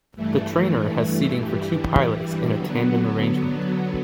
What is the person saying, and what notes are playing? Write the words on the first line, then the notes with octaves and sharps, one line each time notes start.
The trainer has seating for two pilots in a tandem arrangement.
G2 E3 A3
G2 E3 G3
D3 F#3 B3